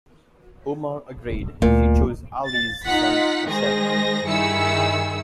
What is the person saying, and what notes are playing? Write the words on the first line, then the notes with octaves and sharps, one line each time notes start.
Umar agreed; she chose Ali’s son Husayn.
D2 A#2
A6
D#4 F4 F#5 B6
D#3 G#3 G#4 C5 A#6
G2 D#3 E4 G#4 E6 C#7